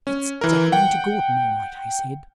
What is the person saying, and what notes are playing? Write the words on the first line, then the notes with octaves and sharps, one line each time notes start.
"It's damning to Gordon, all right," I said.
C#4
E3 A#4
F#5 G5